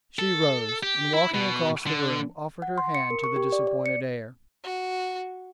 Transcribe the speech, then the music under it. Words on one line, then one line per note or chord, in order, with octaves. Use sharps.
She rose, and walking across the room, offered her hand to the disappointed heir.
A4
G4
E4
B2
D3
F#5
C6
C#7
A#4
C#6
G4
D5
D5
C#7
F#4